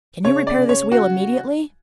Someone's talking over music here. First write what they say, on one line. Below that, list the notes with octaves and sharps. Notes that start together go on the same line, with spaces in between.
"Can you repair this wheel immediately?"
C#3 C#5
D5
C#3
C#5
F#4